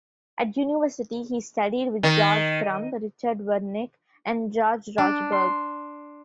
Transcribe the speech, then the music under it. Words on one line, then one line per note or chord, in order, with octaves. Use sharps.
At university, he studied with George Crumb, Richard Wernick, and George Rochberg.
D#3
D4
C6